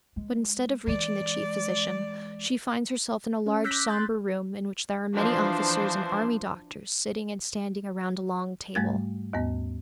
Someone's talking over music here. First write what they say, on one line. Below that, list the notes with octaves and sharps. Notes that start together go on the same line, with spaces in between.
But instead of reaching the chief physician, she finds herself in a large somber room in which there are many officers and army doctors sitting and standing around a long table.
G#3
E3 G#3 D5
C#4
D6 E6 F#6 G6 A#6 B6
C6 F#6 G6 A6
E3 F3 D4 C5
G#2 G3 A3 A6
D#2 G#2 B3